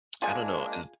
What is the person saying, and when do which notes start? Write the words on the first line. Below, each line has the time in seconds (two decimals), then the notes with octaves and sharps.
I don't know, is d
0.22 G#3 A#3 D4 F4 G#4 G#5